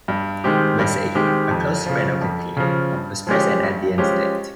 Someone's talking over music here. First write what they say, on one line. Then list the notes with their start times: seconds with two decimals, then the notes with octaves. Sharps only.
Vesey, a close friend of the King, was present at the incident.
0.08 G2
0.44 D#3 G#3 C4 G4
0.79 G2
1.15 D#3 G#3 C4 G4
1.51 F2
1.86 C#3 F3
2.21 F2
2.57 C#3 F3
2.93 G2
3.27 F3 G#3 C#4 G4
3.63 G2
3.98 F3 G#3 C#4 G4